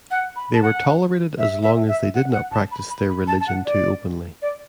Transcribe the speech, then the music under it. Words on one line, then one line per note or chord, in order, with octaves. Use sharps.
They were tolerated as long as they did not practice their religion too openly.
F#5
B5
A5
F#5
E5
E5
E5
F#5
F#5
A5
B5
B5
B5
A5
A5
F#5
D5
D5